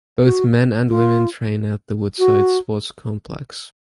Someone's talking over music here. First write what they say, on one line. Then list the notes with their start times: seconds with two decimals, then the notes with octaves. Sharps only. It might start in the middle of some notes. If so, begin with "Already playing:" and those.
Both men and women train at the Woodside Sports Complex.
0.24 F#4
0.89 F4
2.19 F#4